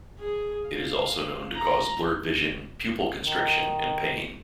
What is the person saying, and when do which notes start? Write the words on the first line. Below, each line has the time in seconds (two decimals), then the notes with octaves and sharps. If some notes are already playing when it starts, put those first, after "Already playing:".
It is also known to cause blurred vision, pupil constriction and pain.
0.19 G#4
0.67 F5
1.55 A#5
3.22 D#3